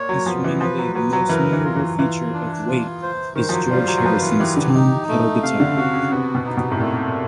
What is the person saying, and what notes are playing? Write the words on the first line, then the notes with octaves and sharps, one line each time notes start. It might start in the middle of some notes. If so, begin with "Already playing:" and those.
Instrumentally, the most memorable feature of "Wait" is George Harrison's tone pedal guitar.
Already playing: A#2 C#5
F#3
F3 B3
E3
F3 B4
F#3
F#3 B4
F#3
E3 A#4
E3
F4
E3
E3 F4
D4
F4
C5
D#3 C5
F3
F#3
G3 F4
F#3
F#3
F3 B4
E3
E3 G4
D3
D#4
A3
C3 F5
D3
C#3
C3 F#4
C#3
C3 B3
B2
D#4
B2
A2
A#2 A3